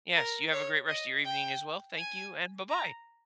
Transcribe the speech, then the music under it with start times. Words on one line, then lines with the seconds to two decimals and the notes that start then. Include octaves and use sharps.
Yes. You have a great rest of your evening as well. Thank you, and buh-bye!
0.16 A#4
0.53 C#5
0.89 D#5
1.25 G5
1.97 G#5
2.70 A#5